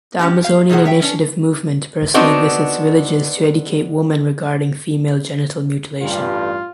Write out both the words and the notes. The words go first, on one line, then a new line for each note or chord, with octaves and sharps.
The Amazonian Initiative Movement personally visits villages to educate women regarding female genital mutilation.
C#4 F#4 G4
F5
C3 D#3 G#4 C5 F#5
C#5 E5 G5
C#4 D4 C#5
B3 C4 D4 D#4 F#4
A1 G2 F4